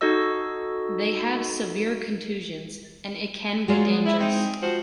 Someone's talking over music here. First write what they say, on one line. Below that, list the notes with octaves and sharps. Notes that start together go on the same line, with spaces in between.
They have severe contusions, and it can be dangerous.
D#4 F#4 A4 D#5 E6
F#3 G#3 F4 G#4 D5
B3
E4
C4 D#4
F3 F#4 C5